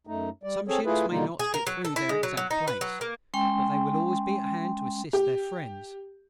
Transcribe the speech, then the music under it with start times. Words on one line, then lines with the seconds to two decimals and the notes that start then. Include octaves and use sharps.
Some ships may not get through their exact place, but they will always be at hand to assist their friends.
0.07 F#2 A3 D#4
0.43 G3 D5
0.68 C4 G#4 A4 C#5
0.85 A3 E4 F4 G#4 B4
1.10 B2 D3 G3 A#3 D#4 F4
1.39 G#4
1.54 A#4
1.67 F#3
1.85 A4
1.96 E4
2.09 G#3
2.23 F#3
2.37 F#3
2.51 D#4
2.68 B4
2.81 F#3
3.01 A#3
3.34 G#3 C#4 G5 C6
5.13 G4